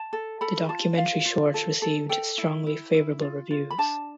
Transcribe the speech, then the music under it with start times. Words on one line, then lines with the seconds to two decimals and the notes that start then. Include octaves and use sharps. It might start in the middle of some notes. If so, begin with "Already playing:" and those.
The documentary short received strongly favorable reviews.
Already playing: A5
0.13 A4
0.41 A4 B5
0.69 F4 A5
0.97 F4 F5
1.25 F4
1.54 A4
1.82 A4
2.09 A4 G5
2.38 E4
2.67 E4
2.94 E4
3.22 F4
3.51 F4
3.70 B5
3.78 D4 A5